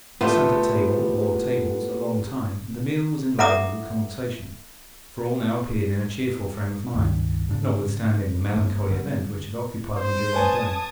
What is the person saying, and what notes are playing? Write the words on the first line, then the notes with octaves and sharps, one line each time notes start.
We sat at table--or tables--a long time, and the meal was enlivened with conversation; for all now appeared in a cheerful frame of mind, notwithstanding the melancholy event which had occupied them during the day.
A2 B3 F4 G4 A4 E5 C6
A4 E5 F#5 A#5 D6 D#6
C#2 G2 D#3
G#2 C#3 D4
G1 A#3
D3 G3
C5
B4 C#5 G#5 A5 D#6 G#6